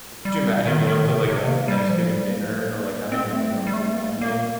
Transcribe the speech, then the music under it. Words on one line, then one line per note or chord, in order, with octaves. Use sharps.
oh could you imagine going to, like, a Thanksgiving dinner or, like, having a dinner with your family
G3
D#3
D#3
C3
C3
A#3
G3
F3
G3
A#3
C4
A3
G3
G3
A3
A#3
A#3